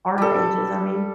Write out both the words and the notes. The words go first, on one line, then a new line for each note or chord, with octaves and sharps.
our ages, I mean.
G3 A4